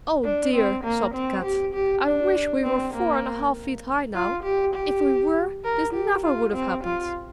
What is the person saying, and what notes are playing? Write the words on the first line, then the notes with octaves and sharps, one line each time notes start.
"Oh dear," sobbed Kat, "I wish we were four and a half feet high now! If we were, this never would have happened."
D4
C4
A#3
C4
G4
G4
D4
C4
A#3
F4
G4
G4
A#4
G4
F4
C4
F4